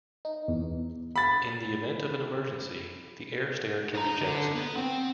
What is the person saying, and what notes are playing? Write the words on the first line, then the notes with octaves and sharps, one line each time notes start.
In the event of an emergency, the air stair can be jettisoned.
D#4
E2
B5 A6
D#4 A#5
D3
B3
C4